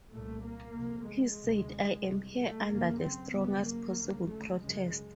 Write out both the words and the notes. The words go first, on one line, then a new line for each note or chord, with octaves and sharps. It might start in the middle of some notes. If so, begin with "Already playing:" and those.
He said: I am here under the strongest possible protest.
C2 A#2 A3
A#3
F2 C3
G#3
D2 C3
C2 C3
A3
F#2 C#3 A#3
C4
F#2 C#3 B3
A#3
D2 C#3
A3
F#2 C#3 G#3